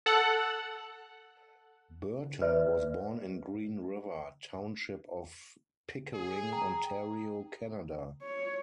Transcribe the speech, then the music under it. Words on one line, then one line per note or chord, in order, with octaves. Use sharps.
Burton was born in Green River, township of Pickering, Ontario, Canada.
A4 F#5
B4 D5 E5
G#4
G5 A#5 D#6
C#5